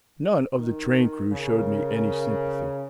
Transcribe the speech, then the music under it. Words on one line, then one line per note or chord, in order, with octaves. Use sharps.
None of the train-crew showed me any sympathy.
D#3
C#3 A#4